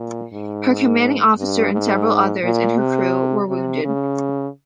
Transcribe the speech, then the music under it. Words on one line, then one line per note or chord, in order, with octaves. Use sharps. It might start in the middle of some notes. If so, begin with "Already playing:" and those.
Her commanding officer and several others in her crew were wounded.
Already playing: A#2
G#2
G2
G#2
A#2
C3
C3
C#3